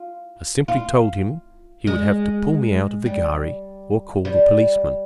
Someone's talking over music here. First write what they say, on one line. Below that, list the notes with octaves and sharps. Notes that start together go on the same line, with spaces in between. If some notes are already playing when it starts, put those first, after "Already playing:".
I simply told him he would have to pull me out of the ghari or call the policeman.
Already playing: F4
F4
G#3
G3
G3